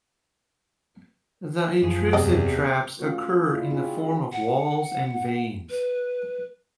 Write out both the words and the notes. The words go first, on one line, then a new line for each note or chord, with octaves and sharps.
The intrusive traps occur in the form of walls and veins.
F#2 F3 G#4
E2 C3 D5 D#5
A3 C#4 F4 F#4
D4 E4 F4
C4 D#4 F4 F#4 G#4
F#5
B4